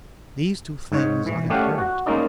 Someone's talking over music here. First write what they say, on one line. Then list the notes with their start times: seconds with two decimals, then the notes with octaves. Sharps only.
These two things I have heard.
0.92 G#2 C#5
1.26 E3
1.50 A3 C#4 G4 D5 F5 F#5
1.78 F#4
2.06 G#3 A#3 C#4 D#4 D5